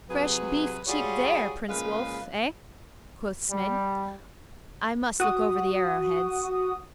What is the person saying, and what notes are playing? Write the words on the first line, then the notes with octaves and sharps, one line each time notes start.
'Fresh beef cheap there, Prince Wulf, eh?' quoth Smid; 'I must look over the arrow-heads.'
C3 F#3 G#4 B4
G3 F4 F#4 G#4 C#5 D5
A#2 C#3 G#3 B4 F5
G3
F#4 D#6